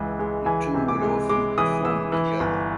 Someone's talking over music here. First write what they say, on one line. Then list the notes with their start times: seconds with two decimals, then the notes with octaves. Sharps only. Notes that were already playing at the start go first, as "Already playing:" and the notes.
The two would often perform together.
Already playing: C#2 E3 G#3
0.19 G#3
0.46 E3 G#5
0.74 C3
0.88 D6
1.02 G#3
1.29 G#3 D6
1.58 E3 D#6
1.85 E3 E6
2.12 E3
2.40 G1